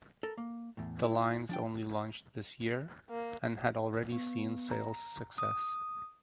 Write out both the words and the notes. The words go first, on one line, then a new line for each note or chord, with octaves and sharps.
The lines only launched this year and had already seen sales success.
A4 A#4
A#3
E2 A2
E4
F3 D4 G5
A#3
B3
A#5
D#6